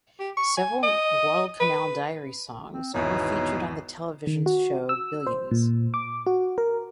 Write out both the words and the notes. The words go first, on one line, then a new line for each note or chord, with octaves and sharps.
Several Guadalcanal Diary songs were featured on the television show Billions.
G4
C#6
G#5
D#5
B4
C4
G#1 E2 B2 D#4 E4 C#5
D#3
F#4
E6
C5
A#2
D6
F#4
A#4